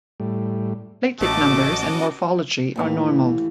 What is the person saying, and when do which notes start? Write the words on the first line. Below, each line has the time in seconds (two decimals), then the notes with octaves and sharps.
Platelet numbers and morphology are normal.
0.20 A2 G3
1.20 A1 A3 C#4 F#4 D#5 A5 D6
2.76 D#2 A2 E3